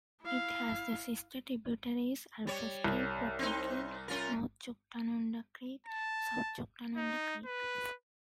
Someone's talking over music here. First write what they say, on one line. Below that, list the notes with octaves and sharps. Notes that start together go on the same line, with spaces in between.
It has the sister-tributaries: Alplaus Kill, Plotter Kill, North Chuctanunda Creek, South Chuctanunda Creek.
E4 F5
G3 C#5
C2
C4 D#4
C#4 F4 A#4
A5
D#4
B4